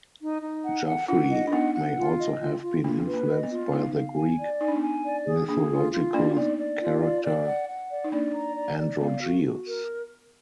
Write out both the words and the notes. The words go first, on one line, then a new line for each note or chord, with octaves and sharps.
Geoffrey may also have been influenced by the Greek mythological character Androgeus.
D#4
D#4
F#5
F#5
D4 F4 F#5
D#5
D4
B3 D#4 F#5
F#5
F4
D#5
F4
F4
A#3 D4 F4
B4
A#3
D#5
B3
F4
B3 D#4 F5
F5
G#5
D5
D#4 G#5
D4
B3 D#4
G#5
D5
G#4
A#3 D4 G#4
F4
F4
A#3 D4 D5
B3 D#4 D5
D5
F4
D5
D5
F#5
F#5
D5
D#4
A#3 D4 D5
A#5
D5
D5
B3 F5
F#4
F#4
A#4